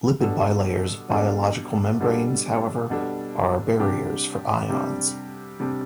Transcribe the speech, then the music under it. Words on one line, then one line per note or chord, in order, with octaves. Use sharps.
Lipid bilayers of biological membranes, however, are barriers for ions.
B2 G3 D4 A4
B2 G3 D4 A4
B2 G3 D4 A4
B2 G3 D4 A4
C3 G3 D4 G4
C3 G3 D4 G4
C3 G3 D4 G4